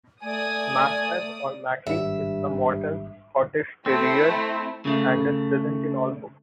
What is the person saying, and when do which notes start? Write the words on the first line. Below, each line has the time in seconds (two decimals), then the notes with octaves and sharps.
Macbeth, or "Mackie", is the Morton's Scottish terrier and is present in all books.
0.23 A3 D5 G#5 D#6
1.87 G#1 G2 E5
3.86 A3 C4 E4
4.85 C#3 A3